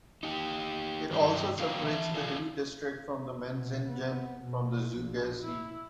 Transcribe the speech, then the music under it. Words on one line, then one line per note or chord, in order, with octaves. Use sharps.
It also separates the hilly district of Menzingen from the Zugersee.
D#4 G4
G2 D#3 F#3 G3 D4 G5
F#3 B3 A#4 F5 G5 A#5
E3 E5 G5 A5
F4 G#4 A4 D5 F5
B2
B3
B2
A#1
E4